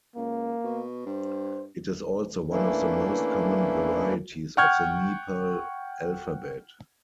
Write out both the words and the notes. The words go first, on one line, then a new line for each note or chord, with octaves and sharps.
It is also one of the most common varieties of the Nepal alphabet.
C#2 A#3
B2
G2 C5
E3 A3 A#3 C#4 D4 E4
F#5 G5 C#6 F6 G6 G#6